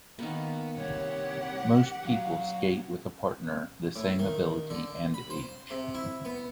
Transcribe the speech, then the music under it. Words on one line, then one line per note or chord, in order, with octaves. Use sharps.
Most people skate with a partner the same ability and age.
D#3 A#3 B3 F#5
C2 G4 C#5 F#5
F#3 F5
A2
D#3
D3
B5
C5
C3
E4
B3